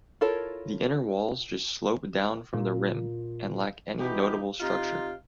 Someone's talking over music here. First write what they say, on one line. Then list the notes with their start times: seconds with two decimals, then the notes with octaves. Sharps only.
The inner walls just slope down from the rim, and lack any notable structure.
0.21 E4 F4 A4 A#4 C#5
2.53 A#2
3.98 B2 E3 D#4 G4
4.60 C3 D#4 F4